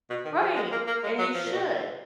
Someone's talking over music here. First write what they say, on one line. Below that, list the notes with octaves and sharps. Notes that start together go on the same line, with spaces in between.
Right, and you should.
B2
D#3
F3
G#3
A#3
A#3
G#3
F#3
F3
A#2
B2
D3